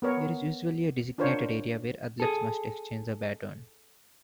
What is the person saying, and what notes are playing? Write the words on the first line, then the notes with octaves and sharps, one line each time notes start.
There is usually a designated area where athletes must exchange the baton.
B3 A#4 C#5
D4 F4 A#4 C5 C#5
G#4 A4